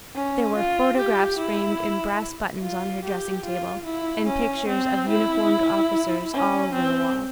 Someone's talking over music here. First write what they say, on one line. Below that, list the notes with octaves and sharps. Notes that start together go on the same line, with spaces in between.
There were photographs framed in brass buttons on her dressing-table, and pictures of uniformed officers all over the walls.
C#4
F4
G4
E4
F4
G4
F4
E4
C#4
C4
E4
C#4
C4